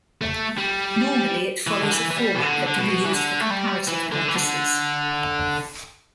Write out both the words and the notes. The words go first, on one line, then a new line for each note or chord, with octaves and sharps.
Normally it follows a format that can be used for comparative purposes.
A3
G3
E3
D3
E3
E3
G3
B2
D3
D3
B2
E3
D3
A3
G3
E3
D3
E3
D3